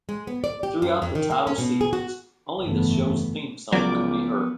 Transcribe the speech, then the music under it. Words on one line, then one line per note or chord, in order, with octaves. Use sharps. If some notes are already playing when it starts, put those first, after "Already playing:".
Throughout the title sequence, only the show's theme song could be heard.
G#3
B3
D5
G4
F#2
F2
D#3
A#3
C#4
B2
G#4
F#4
G1 F2 C#3 E3 A3 B3
C#2 F3 F#3 B3 A#4 D5 D6